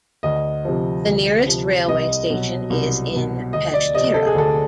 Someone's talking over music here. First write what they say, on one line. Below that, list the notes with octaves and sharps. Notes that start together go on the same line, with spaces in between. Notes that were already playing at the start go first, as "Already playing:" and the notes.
The nearest railway station is in Peshtera.
D2 D#5
C3 F3
D2
C3 F3
C2 D#5
B2 F#3
C2
B2 F#3
D2 D#5
D5
C3 F3 D#5
A4
G#4
D2 A4